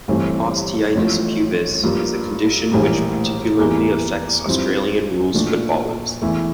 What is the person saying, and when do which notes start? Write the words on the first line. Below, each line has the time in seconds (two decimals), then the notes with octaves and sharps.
Osteitis pubis is a condition which particularly affects Australian rules footballers.
0.08 G1 G2 E3 A3 C4
0.95 A1 A2 F3 A3
1.83 G2 F3 A#3
2.72 A#1 A2 E3 G3 A#3
3.59 E2 E3 G3 A#3
4.46 G2 F3 C4 E4
5.34 A#2 F3 A3 D4
6.22 E2 E3 A3 E4